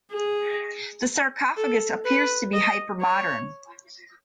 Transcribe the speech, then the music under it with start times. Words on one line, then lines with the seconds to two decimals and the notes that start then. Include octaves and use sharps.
The sarcophagus appears to be hyper-modern.
0.12 G#4
1.57 A4
2.05 B4
2.53 D#5
3.02 C#5